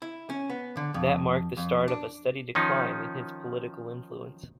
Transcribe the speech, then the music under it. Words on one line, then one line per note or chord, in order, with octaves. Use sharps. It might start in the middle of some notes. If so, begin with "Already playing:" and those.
That marked the start of a steady decline in his political influence.
E4
C#4
B3
D3
F2
F2
D4
D#3 F3 C#4 D#4